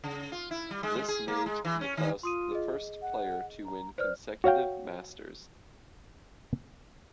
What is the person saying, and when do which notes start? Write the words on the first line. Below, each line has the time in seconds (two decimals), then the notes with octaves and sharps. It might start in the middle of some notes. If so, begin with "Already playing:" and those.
This made Nicklaus the first player to win consecutive Masters.
0.04 C#3
0.32 F4
0.51 E4
0.71 G3
0.83 G#3
0.96 G#3
1.08 G#4
1.28 A#3
1.46 G#3
1.65 E3
1.81 C#4
1.97 D#3
2.23 F4 C6 D#6 D#7
2.51 G#4 D#5
3.02 F#5
3.65 A#5
3.98 B4 C5 D5 F6
4.44 F#4 C#5 F5 G5